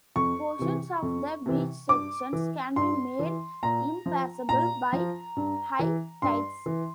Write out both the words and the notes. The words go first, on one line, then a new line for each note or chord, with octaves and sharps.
Portions of the beach sections can be made impassable by high tides.
F2 C#6
C3 E3
F2
C3 E3
G2 D6
E3
G2 C6
E3
A#2 A#5
F3
A#2 A#5
F3
G2
E3
G2 C6
E3